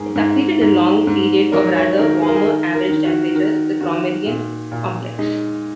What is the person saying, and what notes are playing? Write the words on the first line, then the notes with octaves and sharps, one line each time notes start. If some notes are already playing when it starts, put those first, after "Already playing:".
It succeeded a long period of rather warmer average temperatures, the Cromerian Complex.
Already playing: G#2 D#3 G#4
G#2
G#2
G#2
F#3 A#4
C#5
D#3 A#4
G#4
A#4
G#4
D#3 A#4
A#4
D#3
F#4
D#3 A#4
D#3 F#4
A#2
A#2
G#3 D#4